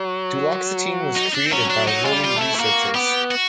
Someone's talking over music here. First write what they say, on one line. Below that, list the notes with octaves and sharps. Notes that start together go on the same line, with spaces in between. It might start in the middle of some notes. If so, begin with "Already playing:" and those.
Duloxetine was created by Lilly researchers.
Already playing: F#3
D#4
D4
C4
F#3 C#4
D4
F#3 D#4
G#3 F4
G3
F4
A3
E4
A3
A#3 F#4
B3 G4
F#4